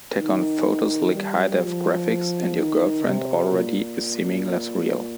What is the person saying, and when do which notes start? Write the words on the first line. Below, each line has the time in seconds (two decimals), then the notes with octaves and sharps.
Tack on photo-slick high-def graphics, and your girlfriend already is seeming less real.
0.18 D#3
1.13 G3
1.61 F3
2.56 D#3
3.03 C3
3.51 A#2